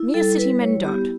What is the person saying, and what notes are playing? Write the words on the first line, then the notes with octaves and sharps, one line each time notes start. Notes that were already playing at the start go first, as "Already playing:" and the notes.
Mere City men don't.
Already playing: E4
G3 A4
G3 B4
E4 C#5
B3 G4